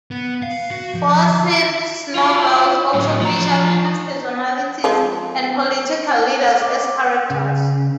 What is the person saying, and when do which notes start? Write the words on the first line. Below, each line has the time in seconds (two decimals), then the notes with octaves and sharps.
Forsyth's novels also feature famous personalities and political leaders as characters.
0.11 B3
0.42 F5
0.71 F#4
0.94 F3
2.15 E4 F4
2.94 A2 F#3
3.21 F3 A#5
4.84 F3 G#3 C4
6.62 D6
7.30 C#3